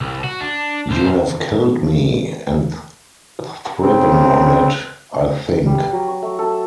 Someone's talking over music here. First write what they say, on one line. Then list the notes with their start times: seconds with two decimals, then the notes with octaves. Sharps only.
You have killed me — and thriven on it, I think.
0.01 C2
0.24 F#4
0.41 D4
0.90 B1 C5
3.81 C#3 C4
5.66 G3
5.92 F#3
6.08 C#6
6.22 A3
6.39 A4